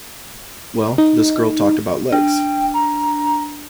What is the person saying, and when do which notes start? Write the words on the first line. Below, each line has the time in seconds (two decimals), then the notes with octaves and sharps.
Well, this girl talked about legs.
0.98 D#4
2.12 D4 G5
2.74 A#5